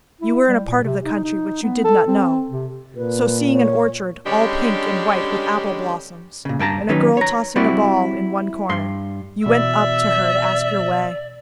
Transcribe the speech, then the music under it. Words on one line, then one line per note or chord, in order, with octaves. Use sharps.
You were in a part of the country which you did not know, so seeing an orchard all pink and white with apple-blossoms, and a girl tossing a ball in one corner, you went up to her to ask your way.
E4
G3
A#2
C3
D#4
D#4
B3
A4
C4
C3
A#2 B4
C#5
D3 G3 G#3 C#4 D4 G4
A#2 C#3
G2 G5 A5 A#5
D#3 F#3 C#4 D#4 B4
C#5 A#5
G3 C4 E4 F#4 D5
G2 C6
B2 E3 D5 E5